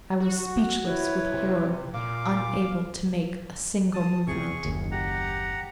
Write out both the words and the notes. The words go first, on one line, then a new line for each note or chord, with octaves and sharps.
I was speechless with horror, unable to make a single movement.
F#4
E4 B4 C#5
C3
A#2 F5 D6
A5 D#6
E2 C3 G#4 C#6
F#1 D#2
G4 F#5 A#5